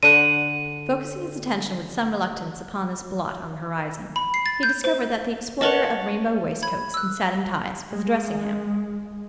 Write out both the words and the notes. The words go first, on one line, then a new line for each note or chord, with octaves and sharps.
Focusing his attention with some reluctance upon this blot on the horizon, he discovered that the exploiter of rainbow waistcoats and satin ties was addressing him.
D3 F#5 D#7
B5
C7
A6
G6
C5
A#4 B4 C#5 D#5 F#5 A5
B5 G#6
E6 F#6
G#3